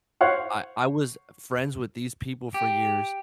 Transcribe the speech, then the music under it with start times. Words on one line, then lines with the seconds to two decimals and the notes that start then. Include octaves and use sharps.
I I was friends with these people for years
0.21 C5 C#5 F5 F#5
2.54 G4